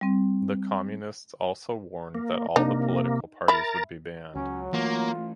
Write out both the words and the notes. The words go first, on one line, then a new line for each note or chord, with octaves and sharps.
The Communists also warned that all the political parties would be banned.
G3 C4
A#3
C3 A#3 D4 D#4
A#4 E5 A#5 B5 A6
C#2 F#3 C#4
E3 A3 A#3 F4